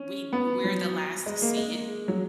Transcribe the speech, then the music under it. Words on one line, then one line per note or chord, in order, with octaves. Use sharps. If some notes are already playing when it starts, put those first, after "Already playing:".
we we're the last to see it?
Already playing: C#4
B3
F#3
G#3
A#3
G#3
F#3